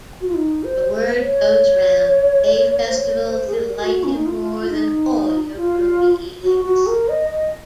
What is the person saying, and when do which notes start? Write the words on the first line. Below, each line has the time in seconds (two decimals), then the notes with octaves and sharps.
The word goes round: 'Gay festivals delight him more than all your gloomy edicts.
0.21 F#4
0.28 F4
0.35 D#4
0.64 C5
0.93 C5
1.22 C#5
2.86 C5
2.95 C#5
3.25 C5
3.47 G#4
3.54 A#4
3.82 F#4
4.04 C#4
4.15 D#4
4.26 F4
4.70 D#4
5.57 F4
6.43 F#4
6.65 F#4
6.87 A#4
7.09 D#5
7.30 D#5